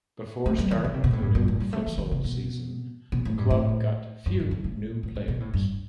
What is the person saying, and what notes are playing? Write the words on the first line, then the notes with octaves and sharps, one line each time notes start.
Before start of the new futsal season the club got few new players.
A3
G3
E3
E3
C3
B2
A2
G2
G2
A2
G3
A3
E3
D#3
C3
B2
B2
A2
G2
A2
G2
F#2
G2
A2
A2
A2
B2
A2
G2